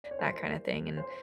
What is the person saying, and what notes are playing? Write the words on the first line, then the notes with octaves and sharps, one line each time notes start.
that kinda thing, and
D5
C#5
E3 G3 A#3 C5
C5